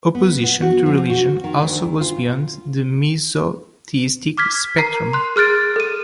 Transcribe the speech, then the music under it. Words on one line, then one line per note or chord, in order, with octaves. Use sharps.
Opposition to religion also goes beyond the misotheistic spectrum.
B3
B3
F#4
F3
F#4
D#3
D2
F4
D6 F6 G#6 B6
A#4 A#5 C7
C6 F#6
G#4 F6 F#6 A6 D7
A4 D#7